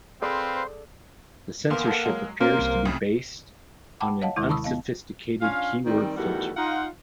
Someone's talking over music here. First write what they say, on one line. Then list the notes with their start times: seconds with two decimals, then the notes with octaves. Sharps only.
The censorship appears to be based on an unsophisticated keyword filter.
0.22 C4 G#4 A4 B4 C5 D5 F5
1.70 E2 A#3 C6
1.87 A4 F#5
2.06 F#3 G#3
2.41 A#3 C#4 F4 A#4 C5
2.59 C2 C3
2.85 F2 A2 C#3
4.00 F#5 G5 A5 B5 D6
4.22 C#5 D#5 F5 F#5 A5
4.36 D#2 C3 D#3 G#3 E4
4.49 A5 B5 C#6 D#6 E6
4.64 B3 D#5 F5
5.42 C#4 D4 F4 F5
5.85 D#3 G3 C4
6.17 E2 D#3 G3 A3 F#4 A4
6.56 D#4 F4 F#5